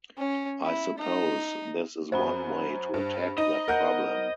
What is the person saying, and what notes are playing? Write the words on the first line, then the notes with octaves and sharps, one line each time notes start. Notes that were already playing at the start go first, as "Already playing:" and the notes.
I suppose this is one way to attack that problem.
C#4
E4
D#4
F#2 F#4 C5 B5
G2
D#4 D#5
A#4 F#5 G6